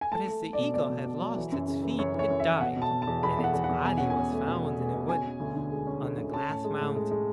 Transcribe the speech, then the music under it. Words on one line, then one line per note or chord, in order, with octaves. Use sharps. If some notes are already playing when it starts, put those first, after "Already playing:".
But as the eagle had lost its feet it died, and its body was found in a wood on the Glass Mountain.
G#5
A3 A5
A3
A3
D5
B2
B2 D5
B2
B2
F#3
E3
F#2
C#3
E3
F#2 C#5
E3 C#5
F#2
E5
E3
B2 F#5
B2
A5
B2
A5
E2
E2 B5
E2
F#5
E2
F#5
E2
B2 G#5
C#4 F#5
G#5
B2
A3
B2
A3
A3
B2
C#4 G#5
C#4
D2
D3
G#3
C#4
D3
D2
C#4 A5
A2
G#3
A2
G#3
G#3